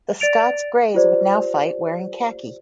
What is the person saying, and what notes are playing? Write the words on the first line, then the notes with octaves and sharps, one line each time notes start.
The Scots Greys would now fight wearing khaki.
D5 A6 D7 F7
F4 G4 C5 D5